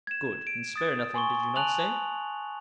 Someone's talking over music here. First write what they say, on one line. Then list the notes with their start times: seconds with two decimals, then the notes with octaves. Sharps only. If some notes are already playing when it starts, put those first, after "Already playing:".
"Good! and spare nothing, did you not say?"
0.07 G#6 E7
0.47 D7
0.76 D#6 A6
1.14 G#5 C6 C#6 G7
1.56 G#5 A5 F#6 F7 F#7